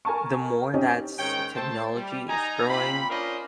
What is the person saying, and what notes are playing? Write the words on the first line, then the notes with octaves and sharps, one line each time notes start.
the more thats technology is growing,
A#4 G#5 A5 C#6
C4 C#4 D#4 G4 C#5 D#5
G#2 D#3 C#4 G5
A3 C5 A5
G3
D#4 G#5 A#5
A#2 C4 F5 B5
C#4 D4 F4 A#4 C5 D#5